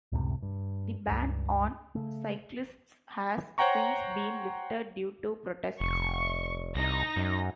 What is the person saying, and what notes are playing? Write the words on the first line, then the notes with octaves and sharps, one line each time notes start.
The ban on cyclists has since been lifted due to protests.
C#2 F#2 A2 C3
G2
C#2 G2
C#3 A3
C5 C#5 F#5 G5 A#5 C#6
F1 C#6
C2 D#4 A#6
F#2